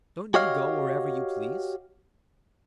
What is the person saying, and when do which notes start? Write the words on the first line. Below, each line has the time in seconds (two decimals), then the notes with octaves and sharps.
"Don't you go wherever you please?"
0.34 F#4 G4 C#5 D#5 F5